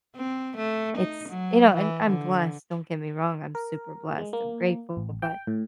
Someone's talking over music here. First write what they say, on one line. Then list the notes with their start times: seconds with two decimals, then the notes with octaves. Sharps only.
it's You know, and I'm blessed, don't get me wrong, I'm super blessed, I'm grateful, but
0.16 C4
0.57 A3
0.97 D#4
1.28 F#3
1.75 E3
2.07 D3
3.55 A#4
4.18 G#3
4.33 A#3
4.97 A1
5.22 G5
5.47 A2